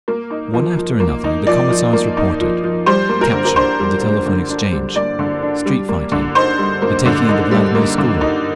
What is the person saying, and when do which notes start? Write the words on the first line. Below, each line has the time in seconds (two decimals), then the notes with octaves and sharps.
One after another the Commissars reported--capture of the Telephone Exchange, street-fighting, the taking of the Vladimir school....
0.08 A#3
0.30 D#4
0.54 F3
0.77 F3
1.00 A#3
1.24 D#4
1.47 F3 D5
1.70 F3
1.93 A#3
2.17 D#4
2.40 F3
2.63 F3
2.86 G3 C5
3.09 A#3
3.21 A#4
3.33 D3
3.45 A#4
3.56 D4 C5
3.79 G3
4.02 A#3
4.26 D3
4.49 D4
4.72 G3
4.96 A#3 D5
5.19 D3
5.42 D4
5.66 G3
5.89 A#3
6.12 D3
6.35 D#4 C5
6.58 G3
6.82 A#3
7.05 D3
7.29 D#4
7.51 G3
7.75 A#3
7.98 D3
8.21 D#4